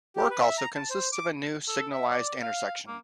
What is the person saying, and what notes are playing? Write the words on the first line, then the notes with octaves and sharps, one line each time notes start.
Work also consists of a new signalized intersection.
G4
B4
E5
A#5
A5
C5
D6
A4
E5
D5
F5
A#3